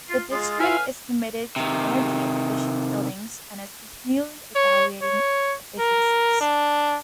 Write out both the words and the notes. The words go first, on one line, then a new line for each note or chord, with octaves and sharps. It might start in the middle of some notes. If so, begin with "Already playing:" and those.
The District is committed to energy efficient buildings and is continually evaluating efficiencies.
F4
G#3 F4
A2 E4 F4 B4 F5 G#5
C3 D#3
C#5
C#5
A#4
D4